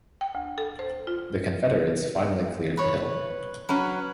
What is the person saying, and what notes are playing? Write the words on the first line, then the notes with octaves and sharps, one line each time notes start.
The Confederates finally cleared the hill.
G5
D2
A4
C5
F4
B4 C#5
F#3 C#4 B4